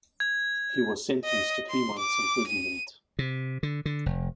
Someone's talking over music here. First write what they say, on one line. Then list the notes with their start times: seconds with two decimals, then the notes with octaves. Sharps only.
He was sentenced to three months' imprisonment.
0.20 G#6
1.25 D#5
1.70 C6
1.99 D6
2.47 D#7
3.19 C3
3.63 D3
3.86 D3
4.06 F1